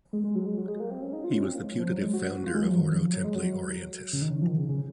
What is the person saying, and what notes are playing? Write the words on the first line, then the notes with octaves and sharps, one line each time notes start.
He was the putative founder of Ordo Templi Orientis.
G#3
G#3
F#3
G#3
F#3
G#3
A#3
C4
C#4
D#4
F4
C#4
C4
A#3
G#3
F#3
F3
F#3
G#3
F#4
F4
G#3
F#3
F3
D#3
F3
F#3
G#3
F#3
C#3
D#3
C#3
F3
D#3
C#3
C#3